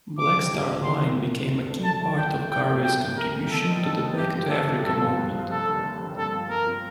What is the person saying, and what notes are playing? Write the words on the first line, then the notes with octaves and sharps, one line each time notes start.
Black Star Line became a key part of Garvey's contribution to the Back-to-Africa movement.
C2 D6
C3 G3 C4
C2
C3 G3 C4
C3 C6
D#3 A#3
C3
D#3 A#3
D2
D3 A3 D4 A4
D2 A5
D3 A3 D4 A4
A#1 G5
A2 A3
A#1 G5
A2 A3
C2 G5
A#2 A3
C2 A#4
A#2 A3
A#2 A4
G3 C4 D#4
A#2 A4
G3 C4 D#4
G2 G4
F3 A3 C4 G4
G2 A4
F3 A3 C4 G4
G2 A4
F3 C4 F4
G2
F3 C4 F4
F1 A4
D#2 D3 G3 C4
F1
D#2 D3 G3 C4
G2 A4
F3 C4 F4
G2 A#4
F3 C4 F4